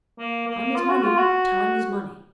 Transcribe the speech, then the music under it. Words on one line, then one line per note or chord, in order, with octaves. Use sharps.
Time is money, time is money.'
A#3
A#3
F4
F#4
F4
F#4